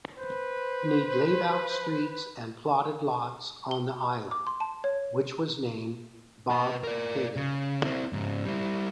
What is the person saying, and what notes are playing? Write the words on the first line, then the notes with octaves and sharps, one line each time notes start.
Need laid out streets and plotted lots on the island, which was named Bobcaygeon.
B4 C5
G7
D6
C6
A5
C#5
B4 D#5
A#4 D5
C#3
C4 E4
G#2 C#3
G3 E4